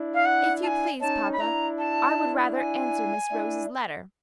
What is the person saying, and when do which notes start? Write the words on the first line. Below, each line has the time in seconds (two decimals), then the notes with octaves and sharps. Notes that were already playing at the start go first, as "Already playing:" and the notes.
"If you please, papa, I would rather answer Miss Rose's letter."
Already playing: D4 E4
0.14 F5
0.25 F#5
0.63 A5
0.67 G#5
1.01 C#4 D#4 A5
1.33 B5
1.40 D4 E4 A#5
1.78 A5
2.55 G#5
3.31 D4 E4